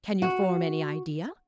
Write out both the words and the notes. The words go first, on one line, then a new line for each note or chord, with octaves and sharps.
Can you form any idea?
F#4